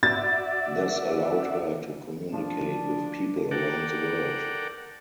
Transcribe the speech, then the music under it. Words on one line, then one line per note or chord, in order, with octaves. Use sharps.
This allowed her to communicate with people around the world.
F#4 D5 E5 A6
F3 D4
A4 A#4 D5 F#5 G5